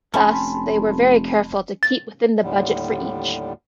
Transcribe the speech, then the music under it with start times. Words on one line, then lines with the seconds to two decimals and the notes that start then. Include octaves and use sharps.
Thus they were very careful to keep within the budget for each.
0.14 F1 C#4 A5 B5 C6
1.83 A6
2.42 D#2 A2 D3 G3